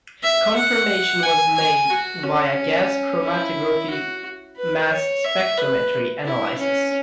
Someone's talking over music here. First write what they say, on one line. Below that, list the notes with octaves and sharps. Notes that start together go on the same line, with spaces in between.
Confirmation was made via gas chromatography-mass spectrometry analysis.
E5
F#5
G#5
G#5
F#4
C#4
E4
F#4
B4
C#5
E5
B4
E4
C#4